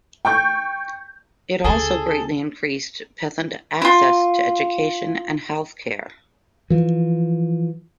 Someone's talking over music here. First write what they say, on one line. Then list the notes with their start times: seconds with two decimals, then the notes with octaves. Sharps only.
It also greatly increased peasant access to education and health care.
0.25 G5 C#6 G6
1.64 D2 C#3 G#4 A4
3.82 E4 F4
6.70 E3 F3